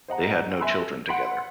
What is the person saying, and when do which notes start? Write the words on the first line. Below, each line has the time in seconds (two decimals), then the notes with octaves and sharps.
They had no children together.
0.08 C5 D#5 F#5 A#5
0.60 E5 G#5 B5 C6 E6 F#6
0.79 A4
1.08 F#5 B5 C6 B6 D7